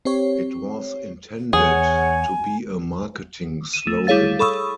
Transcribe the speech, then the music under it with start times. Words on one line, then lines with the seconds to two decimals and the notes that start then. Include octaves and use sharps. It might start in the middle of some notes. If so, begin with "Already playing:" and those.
It was intended to be a marketing slogan.
0.05 C4 G4 C#5
1.53 E2 G#4 C#5 F#5 G#5
3.74 D#7 E7
3.87 A3
4.07 G3 E4 G#4 C#5 F5 A6
4.39 A4 B5 C#6 D#6 E6